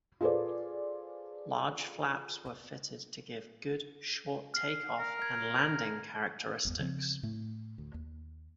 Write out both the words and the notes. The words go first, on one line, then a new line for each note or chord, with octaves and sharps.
Large flaps were fitted to give good short takeoff and landing characteristics.
F4 G#4 A4 B4 C5 D5
F6 C7
A#4
G#6
G1 E2 B3
C#3 F3 G#3 C4
A2 A3
D2
D#2